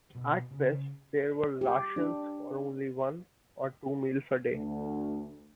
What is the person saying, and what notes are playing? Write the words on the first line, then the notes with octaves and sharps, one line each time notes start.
At best there were rations for only one or two meals a day.
B2
C#3
G4
D4
D2